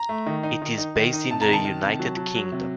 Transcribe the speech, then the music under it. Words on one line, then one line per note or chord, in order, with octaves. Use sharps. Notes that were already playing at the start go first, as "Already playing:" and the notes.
It is based in the United Kingdom.
Already playing: A#5
A3
D#3
D#4
D#3
D#4
D#3
D#4
C3 A5
A#5
D#3 A5
D#3
C3
F#3
F#3
F#3
C3